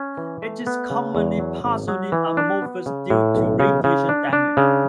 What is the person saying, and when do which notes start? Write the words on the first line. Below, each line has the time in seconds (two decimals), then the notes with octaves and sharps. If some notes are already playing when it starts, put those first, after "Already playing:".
It is commonly partially amorphous due to radiation damage.
Already playing: C#4
0.17 E3
0.42 A3
0.67 B3
0.90 C#3
1.15 E2
1.39 F#3
1.65 G#1
1.88 F#3
2.12 E3
2.37 D4
2.62 B3
2.86 C#3
3.10 A2
3.35 B1
3.60 C#3
3.84 C#3
4.09 D4
4.33 D4
4.57 C#3